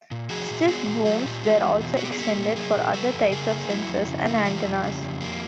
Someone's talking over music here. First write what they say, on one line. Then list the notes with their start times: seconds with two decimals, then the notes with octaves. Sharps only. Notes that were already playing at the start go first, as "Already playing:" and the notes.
Stiff booms were also extended for other types of sensors and antennas.
0.11 A#2
0.30 F3 F#4 G#4
0.50 A#2
0.61 G4
0.68 B3 F#4 G#4
0.86 A#2
1.05 F#3 F4 G4
1.25 A#2
1.43 G#3
1.63 E2
1.81 B2
1.97 B3 F#4
2.05 G4
2.12 G#4
2.18 A#3 G4 A4
2.37 A#2
2.56 F#3 G#4 A#4
2.76 A#2
2.94 F#3 A4 B4
3.13 F2
3.31 C#3 G#4 A#4
3.51 A#3
3.70 F#3 E4 F#4
3.88 F2
4.07 C#3
4.27 A3
4.44 E3 F4 G4
4.63 F2
4.82 C#3
5.02 F2
5.20 A#3